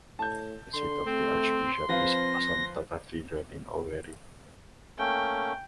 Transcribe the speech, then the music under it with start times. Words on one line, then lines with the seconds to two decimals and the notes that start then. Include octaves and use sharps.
The seat of the archbishop is Assumpta Cathedral in Owerri.
0.19 A2 A5 G6
0.74 D3 C6
1.06 A3 C4
1.89 F3 C4 B4 F5 A#6
4.98 A3 A#3 C#4 G5